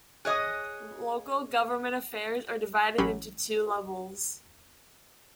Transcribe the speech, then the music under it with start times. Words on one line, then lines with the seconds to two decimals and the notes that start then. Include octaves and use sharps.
Local government affairs are divided into two levels.
0.25 G#4 C#5 D#5 D#6 F#6
2.98 A1 F#3 C#4 G4 B5 C7